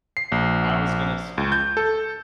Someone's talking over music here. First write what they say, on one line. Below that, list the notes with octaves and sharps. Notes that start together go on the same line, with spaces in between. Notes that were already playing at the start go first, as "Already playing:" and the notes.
I was gonna s
C7
A#1
C#2
G6
A4